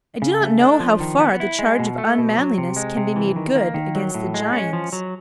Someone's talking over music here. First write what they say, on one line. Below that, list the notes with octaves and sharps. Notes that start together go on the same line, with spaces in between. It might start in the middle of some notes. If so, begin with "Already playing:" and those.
I do not know how far the charge of unmanliness can be made good against the Jains.
C#3
A3
D4
F3
D#3
B3
E4
G#3
B2
A3
B2
F#3
C3
G#3
C3
E3
D#3
A#3
D#3
F#3
A2
G#3
C#4
F3
F#3